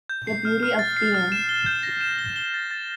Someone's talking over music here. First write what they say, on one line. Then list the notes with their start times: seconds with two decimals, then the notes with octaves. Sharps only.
The beauty of being.
0.09 G6
0.27 C7
0.45 F6
0.63 F6
0.79 A6
0.97 C7
1.14 F6
1.32 E7
1.49 G7
1.66 G6
1.83 A#6
2.01 E7
2.19 G7
2.36 G7
2.54 A6
2.71 A6